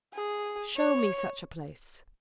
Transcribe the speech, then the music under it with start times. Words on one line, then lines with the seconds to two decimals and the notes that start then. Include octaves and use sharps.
"Show me such a place!"
0.14 G#4
0.77 C#5